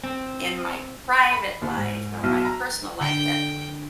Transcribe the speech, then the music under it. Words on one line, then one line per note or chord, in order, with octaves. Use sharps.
In my private life or my personal life, that
C4
B5
D#2
G#2
B1
A#5
D3 G5